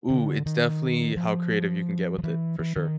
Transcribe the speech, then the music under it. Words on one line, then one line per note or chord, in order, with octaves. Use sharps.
Ooh, it's definitely how creative you can get with it, for sure.
D3
D#3
F3
F3
E3
E3
D#3